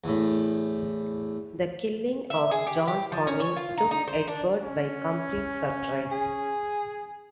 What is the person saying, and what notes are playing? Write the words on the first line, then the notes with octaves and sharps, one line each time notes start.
The killing of John Comyn took Edward by complete surprise.
E2 A2
E5
G#4
G4
G4
F3
C#4
C#5
F4
D#4
D#4
C5
D4
C#4
G#4